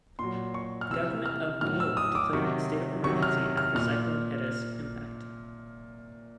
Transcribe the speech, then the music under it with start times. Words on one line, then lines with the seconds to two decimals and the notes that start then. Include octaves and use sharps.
The government of Niue declared a state of emergency after Cyclone Heta's impact.
0.19 A#2 F#3 C6
0.54 C#6
0.81 F6
0.90 C3 E3 E6
1.26 F6
1.61 A2 F#3 F6
1.80 E6
1.97 D#6
2.15 D6
2.33 C3 D#3 F#3 C#6
3.04 C3 D#3 F#3 C#6
3.23 F6
3.57 F6
3.75 A#2 F6